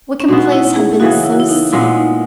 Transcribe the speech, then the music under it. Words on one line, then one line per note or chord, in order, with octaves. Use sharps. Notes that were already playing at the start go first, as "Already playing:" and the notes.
Wickham Place had been so safe.
C#4
B2 G#3 B3 D#4
F#4
E4
G#4
G#4
C#3 E3 B3 F#4
E4
F#4
E4
D#4
A#2 G#3 B3 E4
D#4